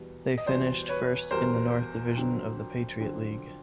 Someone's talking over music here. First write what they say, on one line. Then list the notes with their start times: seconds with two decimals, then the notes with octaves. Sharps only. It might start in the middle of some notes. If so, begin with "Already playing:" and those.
They finished first in the north division of the Patriot League.
Already playing: E2 B2 G3
0.38 D#5
0.46 E2 B2 G3 C5 D5
0.89 B4 C#5
1.31 E2 B2 G3 A#4 C5
2.15 F2 D3 F#3
2.99 F2 D3 F#3